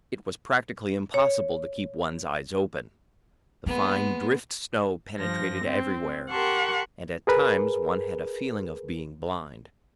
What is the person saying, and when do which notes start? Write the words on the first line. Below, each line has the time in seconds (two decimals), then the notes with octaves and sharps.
It was practically impossible to keep one's eyes open; the fine drift-snow penetrated everywhere, and at times one had a feeling of being blind.
1.14 C#5
3.66 G#3 A#3 B3
5.19 G2 F3 A#6
5.66 C4
6.32 G4 A#4 F#5 A5 C6 C#6
7.27 G#4 A#4 B4